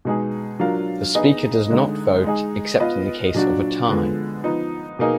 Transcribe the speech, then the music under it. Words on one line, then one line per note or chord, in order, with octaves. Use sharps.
The Speaker does not vote except in the case of a tie.
B2 G#3 D#4 G#4
F#3 D4 F4 A#4 F5
B3 D#4 G#4 D#5
D3 G#3 D#4
G#3 D#4 G#4
B3 F4 B4 D#5
A#2 F#3 D4 F#4
D3 F3 G#3 B3
F3 B3 D#4
B2 A#3 D#4 G#4